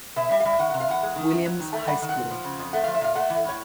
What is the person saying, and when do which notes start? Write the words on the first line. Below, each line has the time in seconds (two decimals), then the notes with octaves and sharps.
Williams High School.
0.16 B2 E5
0.31 G3 E5
0.40 F5
0.45 G3 E5
0.59 D#3 F#5
0.70 C3 F#5
0.80 F5
0.88 E2 F#5
1.03 G#3
1.16 D#3
1.31 F#2
1.45 F#3
1.60 D#3
1.73 A3
1.88 G3 F#5
2.02 D#3
2.09 F#5
2.15 G#2
2.31 F3
2.44 C#3
2.59 F2
2.73 A3 F#5
2.84 F3 F5
2.94 E5
3.01 A#2 F5
3.15 A3 F#5
3.30 E3
3.45 A2 C#5